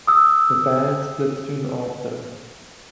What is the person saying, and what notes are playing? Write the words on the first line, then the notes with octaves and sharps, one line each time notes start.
The band split soon after.
D#6 E6